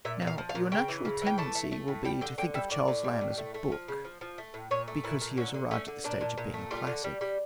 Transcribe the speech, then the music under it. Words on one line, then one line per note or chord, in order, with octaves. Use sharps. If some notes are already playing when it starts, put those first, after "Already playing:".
Now, your natural tendency will be to think of Charles Lamb as a book, because he has arrived at the stage of being a classic.
A#2 E5
A#2
F5
F3
F5
A#2
C#3 G5
E3
C#3
E3 G5
A3 A5
A3
A3
A2
G3 G5
D3 G5
D3 G5
G3 E5
A2 D5
A2
G3
A2
A3
A3
F3
C#3
F3
F3
A3
A2
A#2 C#5
A3
A#2 E4
A#2
D3 C#4
D3
A3 C#4
D3
A#2 D4
A#2
A#2
A3
G3 F4
D3
G3
G3